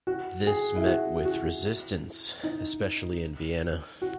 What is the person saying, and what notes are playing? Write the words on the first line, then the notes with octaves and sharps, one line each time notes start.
This met with resistance, especially in Vienna.
F#4
G#4
E4
F#4
F#4
D#4
F#4